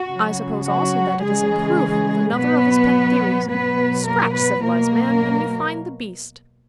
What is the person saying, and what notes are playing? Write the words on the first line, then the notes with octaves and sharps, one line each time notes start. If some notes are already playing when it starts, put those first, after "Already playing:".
"I suppose also that it is a proof of another of his pet theories. Scratch civilized man, and you find the beast."
Already playing: F#4
C#3 F#3
F#3 F#4
C#3 E3 G#3 G#4
B2 F#3 B3 B4
B2 F#3 B3 B4
A#3 A#4
B3 B4
B2 F#3 A#3 A#4